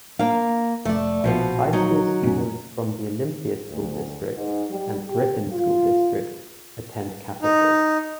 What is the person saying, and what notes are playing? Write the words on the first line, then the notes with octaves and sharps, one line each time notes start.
High School students from the Olympia School District and Griffin School District attend Capital.
A#3 D4 F5
F1 A3 D5
A#1 B2 F3 B3
F#3 D#4
F1 B2 C#4
D2
G#2
G3
G4
F4
D#4